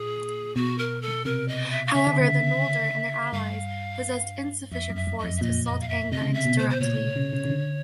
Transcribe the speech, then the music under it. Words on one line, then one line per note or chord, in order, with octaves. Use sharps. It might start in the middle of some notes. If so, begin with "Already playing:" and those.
However, the Noldor and their allies possessed insufficient force to assault Angband directly.
Already playing: A#2 G#4
B2 F#4
A#4
A4
C3 A#4
D#5
E5
F5
C#3 E5
D3
C#3
G2 F5
F2 E5
F#2
E5
F#2
D#5
F2
E5
A#2 D#5
D#5
F5
E5
C3 D#5
C#3
C3 E5
B2
C5
C5
A#2 C#5
C#3
C#3
C#3
D3